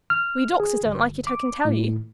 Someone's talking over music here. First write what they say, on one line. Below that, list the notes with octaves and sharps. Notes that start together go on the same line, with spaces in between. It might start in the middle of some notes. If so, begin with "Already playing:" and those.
We doctors don't like it, I can tell you!'
F6
G#4
G1
D6
A2